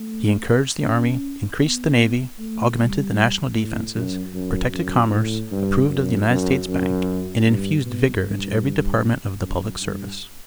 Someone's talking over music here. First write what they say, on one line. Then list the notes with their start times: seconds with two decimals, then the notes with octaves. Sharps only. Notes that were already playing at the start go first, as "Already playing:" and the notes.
He encouraged the army, increased the navy, augmented the national defences, protected commerce, approved of the United States Bank, and infused vigor into every department of the public service.
Already playing: A3
0.82 C#4
1.60 B3
2.38 A3
2.78 G3
3.56 A2
3.95 F#2
4.34 F#2
4.73 F#2
5.12 A2
5.51 G2
5.90 F#2
6.30 F#2
6.68 F#2
7.46 G2
7.86 B2
8.25 G2
9.42 F#2
9.81 G2